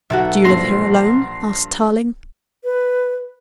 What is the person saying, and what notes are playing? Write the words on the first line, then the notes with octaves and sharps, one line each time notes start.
"Do you live here alone?" asked Tarling.
B1 F#4 A4 E5
G2 A#2 F3 C6 A#6 C7
B4